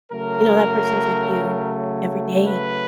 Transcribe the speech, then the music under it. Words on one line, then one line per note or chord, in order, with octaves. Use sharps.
you know, that person's with you every day
C#3 F#3 A3 A#4
B4